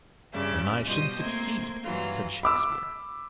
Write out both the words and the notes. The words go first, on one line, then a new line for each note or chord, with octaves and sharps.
"Then I should succeed," said Shakespeare.
G2 C#3 D5 E5
B2 G3 F4 C5 D#5 D#6
A3 A#3 C4 C6 G#6
G2 E3 F#3 F4
B5 D6 E6